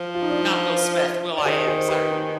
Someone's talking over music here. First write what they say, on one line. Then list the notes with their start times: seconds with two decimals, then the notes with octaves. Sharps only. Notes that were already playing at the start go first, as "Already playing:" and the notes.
not Will Smith, will.I.am, sorry.
Already playing: F3
0.15 F4
0.22 D#4
0.30 D4 F4
1.37 D5
1.45 D#3 G#4 C5
1.67 G#4 C5
1.88 G4 B4
2.11 D#4